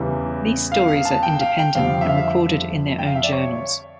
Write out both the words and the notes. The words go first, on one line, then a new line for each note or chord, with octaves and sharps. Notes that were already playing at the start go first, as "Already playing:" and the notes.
These stories are independent and recorded in their own journals.
Already playing: E2 C#3 E3 G3
F5
F5
A5
G5
F5
G5
F2 D3 G3 F5
E5
F5
E5
G5
F5
E5
D5
C#5